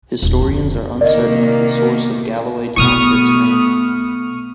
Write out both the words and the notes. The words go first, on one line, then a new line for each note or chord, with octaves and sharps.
Historians are uncertain of the source of Galloway Township's name.
D#1
F2
C3 D#3 A#3 A#4 D5 D#5
B2 A3 B3 E4 C#6 D#6 F6